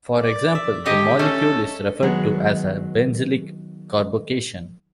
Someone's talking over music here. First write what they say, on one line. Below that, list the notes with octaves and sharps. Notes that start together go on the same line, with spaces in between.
For example, the molecule, is referred to as a "benzylic" carbocation.
D5
E5
D3 D#3 G4 D#5
A3 C#4 A4
D#3 F#3 G#3 B3